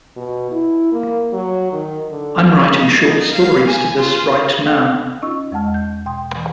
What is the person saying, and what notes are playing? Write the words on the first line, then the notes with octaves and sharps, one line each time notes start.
I'm writing short stories to this right now.
B2
E4
A#3
F#3
D#3
D3
D#4
F5
G#5
F4
A4 F5 F#5
C#4 D#4 F4 D#5 C#6 E6
E2 G#3 D#5 F#5 A5 F6
G6
B2 G5 C6 D#6
E3